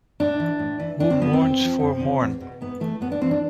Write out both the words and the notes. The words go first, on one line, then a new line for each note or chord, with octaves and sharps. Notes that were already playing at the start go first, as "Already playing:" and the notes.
Who Mourns for Morn?
A2 D4
E3
A2
E3
E2 D4
C4
D3 F3 B3
C4
F2
D3
F3
F2
D3 F3
E2
B2
G#2 B3
E3 A3
A2 B3
D4
E3 C4
D4